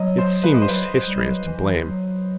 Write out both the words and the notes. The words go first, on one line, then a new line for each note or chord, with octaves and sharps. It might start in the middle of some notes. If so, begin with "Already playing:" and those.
It seems history is to blame.
Already playing: F#3 D#5
C5
B4
D#5
C5
F#3 B4
C5
G3
D#5
F#3
E3
F#3